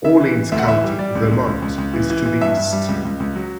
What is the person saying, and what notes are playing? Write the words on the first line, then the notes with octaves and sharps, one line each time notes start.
Orleans County, Vermont, is to the east.
C#3 E5
E3
E3
D2 E5
F#5
E3 E5
G3
G3 D5
C#2
C#2
C#2
C#2
C#2
E3
E3
E3
G2 E5
G2
G3
C#2
C#2
C#2
F#3